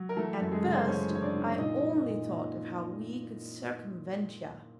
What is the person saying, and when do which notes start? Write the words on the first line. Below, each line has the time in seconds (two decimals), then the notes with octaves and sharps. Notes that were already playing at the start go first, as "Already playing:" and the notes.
At first, I only thought of how we could circumvent yah.
Already playing: F#3
0.09 A#4
0.17 E3 A3 A4
0.41 F#2
0.52 G#3 G#4
0.64 C#3
0.75 C5
0.87 F#2 C#4 C#5
1.10 E3 C#5
1.22 D4 D5
1.35 E3
1.58 A#2 D#4 D#5
1.81 A#2
2.05 A#2
2.29 A#2